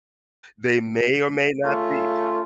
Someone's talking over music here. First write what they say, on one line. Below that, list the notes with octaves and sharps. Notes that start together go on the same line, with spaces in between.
They may or may not be
C#3 A3 C#4 F4